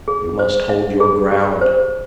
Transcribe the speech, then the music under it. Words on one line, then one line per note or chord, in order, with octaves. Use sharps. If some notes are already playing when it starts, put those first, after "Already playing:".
"You must hold your ground."
G#4
C5
E5
G#4
G4
C5